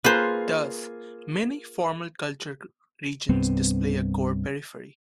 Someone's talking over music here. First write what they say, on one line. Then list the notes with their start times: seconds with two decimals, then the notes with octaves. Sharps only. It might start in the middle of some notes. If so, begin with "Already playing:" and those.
Thus, many formal culture regions display a core-periphery.
0.04 A#3 F4 G#4 B4 C5
3.29 C2 G2 B3 C4